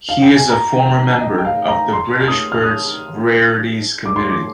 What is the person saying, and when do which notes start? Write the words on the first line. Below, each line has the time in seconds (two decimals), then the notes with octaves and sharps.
He is a former member of the British Birds Rarities Committee.
0.09 F5
0.22 G5
0.36 G#5
0.50 A#5
0.86 G5
1.21 D#5
1.38 G5
1.45 F5
1.68 A#5
1.93 C6
2.20 F6
2.28 D#6
2.52 F6
2.63 D#6
4.06 D6
4.16 C6
4.28 D6